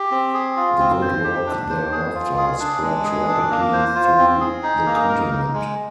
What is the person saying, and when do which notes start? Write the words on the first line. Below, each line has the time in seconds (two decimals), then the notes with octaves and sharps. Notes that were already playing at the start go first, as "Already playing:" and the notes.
The good work thereafter spread rapidly through the continent.
Already playing: G4
0.11 C4
0.34 G#4
0.57 F4
0.79 C4
1.02 C5
1.24 G4
1.46 D4
1.70 C5
1.92 G#4
2.15 F4
2.37 G#4
2.60 D4
2.82 G#3
3.05 G#4
3.28 D4
3.50 A#3
3.73 C5
3.95 F4
4.18 C4
4.40 G#4
4.63 D#4
4.86 A#3
5.08 A#4
5.31 D#4
5.54 G#3